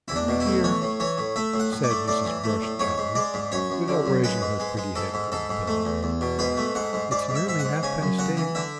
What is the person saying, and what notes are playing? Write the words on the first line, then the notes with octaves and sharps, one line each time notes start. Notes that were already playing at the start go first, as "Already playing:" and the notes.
"Henry dear," said Mrs. Brush gently, without raising her pretty head from the pillow, "it's nearly half-past eight."
E2 E4
D4
B2
E4
A3
E3 C#5
A2
E3 C#5
A2
A3 E5
A2
F#5
A2
D5
A3
A2 D5
E3
A3
A2
G#2 C#5
G#2
G#3 D5
G#2
F#2 C#5
F#2
D3
F#2
G#3 B4
G#2
G#3
G#3
G#2 A4
G#2
G#2 A4
G#2
A3
E2
E2
B2
G#2 B4
A3
G#2 F#5
G#2
G#2 D5
G#2
E5
G#2 E5
F#5
G#2
C#3 G#5
F#2
C#3 F#5
E3
D3 E5